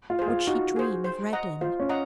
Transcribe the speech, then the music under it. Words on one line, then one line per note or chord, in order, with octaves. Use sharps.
Would she dream of Reddin?
F4
G#4 C5
F4
D#4 F#4
G#4 C5
C5
D#5 F#5 A#5
F4 C5
C#4
D#5 F#5 A#5